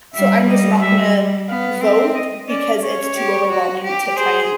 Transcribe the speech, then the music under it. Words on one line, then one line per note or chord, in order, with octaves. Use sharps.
so I'm just not gonna vote because it's too overwhelming to try and
G3 E5
D#5
E5
B3 F5
C4 E5
D#5
C#4 D5
C#4 C#5
G4
F#4
G4
G#4 C5